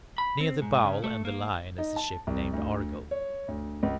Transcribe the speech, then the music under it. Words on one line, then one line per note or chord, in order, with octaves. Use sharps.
Near the Bowl and the Lion is the ship named Argo.
B5
C4
G#2
C#3
A3
A#3
D#4
A5
C2
D2
C#5
D2
C#2